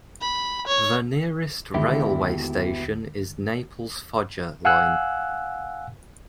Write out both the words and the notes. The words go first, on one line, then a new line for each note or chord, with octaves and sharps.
The nearest railway station is Naples-Foggia line.
B5
C#5
D#2 B2 D3 D#3 G#3 E4 G4
F5 F#5 G#5 E6 F#6